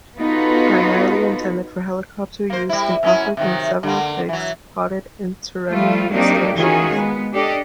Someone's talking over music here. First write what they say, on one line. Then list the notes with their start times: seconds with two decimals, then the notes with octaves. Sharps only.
Primarily intended for helicopter use and offered in several fixed, podded, and turreted installations.
0.17 B3 D#4 F4 F#4 A4 B4
2.50 A#3 C5
2.69 G3 E4
3.03 F#2 C#4 E4
3.37 C3 D#3 F#3
3.83 D3 A#3
4.29 E3 F#3
5.70 F3 G3 A3 F4
6.12 F#3 A#3 C4 D4 D#4 G4
6.56 D#3 E3 C#4 F4 F#4 G#4
6.92 G#3 B3
7.32 D4 G4 A4 D5 D#5